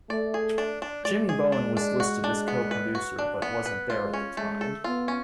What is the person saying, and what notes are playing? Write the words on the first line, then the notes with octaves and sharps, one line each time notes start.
Jimmy Bowen was listed as co-producer but wasn't there at the time.
A3 D5
G#4
D4
D4
G#3 D5
G#4
D4
D4
F#4
D4
B3
B4
F#4
D4
B3
B4
G#3 F4
C#4
G#3 A3
A4
B3 F4
C#4